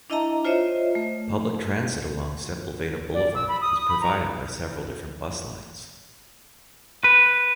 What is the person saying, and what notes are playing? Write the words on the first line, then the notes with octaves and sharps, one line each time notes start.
Public transit along Sepulveda Boulevard is provided by several different bus lines.
D4 E4 D#5 E5 A5 A#5
F4 C5 C#5 D#5 E5
A3
D5
E6
B5
D#6
D#6
B5
A#5
B4